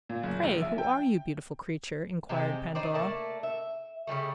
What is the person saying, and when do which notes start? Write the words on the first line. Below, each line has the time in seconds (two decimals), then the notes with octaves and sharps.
"Pray, who are you, beautiful creature?" inquired Pandora.
0.09 A#2
0.23 F#1
0.44 A#1
0.62 E5
0.78 G5
2.29 C3 G#3 C4 G4
2.75 D#4 C5 D5
2.94 A3 A#3 D5
3.43 E5
4.07 C#3 E3 G3 A3